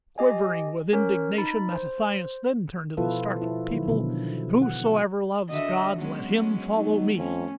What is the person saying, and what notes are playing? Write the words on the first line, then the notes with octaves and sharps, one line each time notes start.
Quivering with indignation Mattathias then turned to the startled people: 'Whosoever loves God, let him follow me!'
G4 D#5 G#5
C#4 A#4 C#5
D#4 B5 A6
C5
B2 F3 E4 F4 A4 B4
E4
D#3 F#3 E4
B2 D3 F3
F#5
D3 F#4 D#5 E5
F#3 G#3 B3 C#4
D#3 A3 B3 D#4
F2 C#4